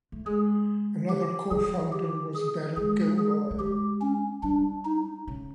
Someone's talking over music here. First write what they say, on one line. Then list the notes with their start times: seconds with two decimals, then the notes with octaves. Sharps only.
Another cofounder was Beryl Gilroy.
0.12 A3
0.26 G#3 G#4
1.10 G4
1.51 G3 G#4
1.92 G4
2.35 G#4
2.77 G#3 G#4
3.18 G#4
3.51 A3
3.59 G#3 G4
4.01 C#4
4.43 G3 D4
4.85 D#4
5.27 C#3